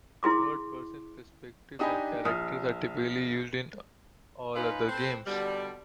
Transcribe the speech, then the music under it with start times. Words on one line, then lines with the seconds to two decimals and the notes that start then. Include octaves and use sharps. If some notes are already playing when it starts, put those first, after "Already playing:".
Third-person perspectives on characters are typically used in all other games.
0.23 E4 G#4 C6 D6
1.79 D4 D#4 G4 D#5 G#5 B5
2.25 A#1 D#6 F6
4.56 C#4 D#4 F4 B4
4.88 C4 A4 B4 C5
5.27 B2 D3 G3